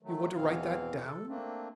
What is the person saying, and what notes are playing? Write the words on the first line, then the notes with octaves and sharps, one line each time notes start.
You want to write that down?
D#3 F#3 A3
E2 B2 E3 C4 F5
A4
A3 A#3 C4 D4